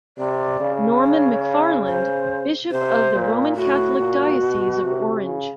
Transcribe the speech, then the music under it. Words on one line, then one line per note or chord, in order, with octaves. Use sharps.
Norman McFarland, Bishop of the Roman Catholic Diocese of Orange.
C3 D5
C#3
C#5
C5
C3 C5
A#2
A2 F#4
A#2
B2
C3
C#3